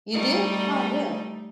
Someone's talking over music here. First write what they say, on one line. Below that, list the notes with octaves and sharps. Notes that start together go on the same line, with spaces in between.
You do? Oh, good.
G3 A3 D#4